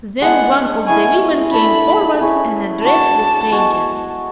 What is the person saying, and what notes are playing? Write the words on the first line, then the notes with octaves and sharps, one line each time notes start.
Then one of the women came forward and addressed the strangers.
G#3 B3 D4 G#4 F#5
E4 G#4 C#5 G#5
D4 A4 E5 B5
C#4 E4 G#4 B4
D4 F#4 C#5 A5
G#3 B3 F#4 C#5